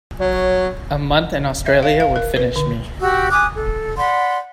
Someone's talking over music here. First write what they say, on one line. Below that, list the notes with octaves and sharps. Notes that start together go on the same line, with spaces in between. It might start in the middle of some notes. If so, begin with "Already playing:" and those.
A month in Australia would finish me.
F#3 C#5
E5
F5
F5
A#4
B4
D3
F#4 G4 E6
G#5 D6 D#6 F#6
A4
D5 F#5 B5 C6